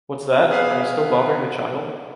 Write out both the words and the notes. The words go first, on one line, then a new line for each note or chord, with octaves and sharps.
What’s that? are you still bothering the child?
B3 G#4 B4 F5